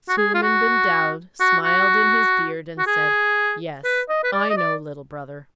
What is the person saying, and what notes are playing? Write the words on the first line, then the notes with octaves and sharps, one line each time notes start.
Suleiman-bin-Daoud smiled in his beard and said, 'Yes, I know, little brother.
F#4
G#4
F4
F#4
F#4
F#4
F#4
G#4
B4
D#5
B4
D5
D#5
D5